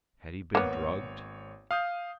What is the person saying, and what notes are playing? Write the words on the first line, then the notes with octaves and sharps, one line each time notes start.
Had he been drugged?
G#1 A#3 B3 C#5
F5 D#6 G6